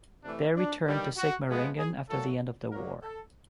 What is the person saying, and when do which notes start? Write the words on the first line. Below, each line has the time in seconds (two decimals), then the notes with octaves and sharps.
They returned to Sigmaringen after the end of the war.
0.24 C3 E3 A3 D4
0.56 D4
0.86 G2 D#3 G3
1.17 F#4
1.48 C3 F3 G#3 B3
1.79 G#4
2.09 A#2 F#3 A3 A4
2.71 A#2 F#3 A#3 A#4
3.02 A4